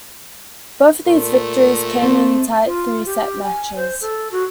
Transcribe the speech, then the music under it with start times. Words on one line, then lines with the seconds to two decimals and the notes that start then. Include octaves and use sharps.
Both of these victories came in tight three-set matches.
1.07 A#2 A3
2.02 C4
2.65 F4
3.06 G4
3.43 G#5
3.76 C5
4.01 A4
4.32 F#4